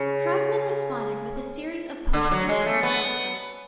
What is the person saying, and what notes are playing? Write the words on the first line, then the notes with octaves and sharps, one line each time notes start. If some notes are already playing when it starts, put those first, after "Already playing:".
Krugman responded with a series of postings on his website.
Already playing: C#3
D3
F#3
G#3
A3
B3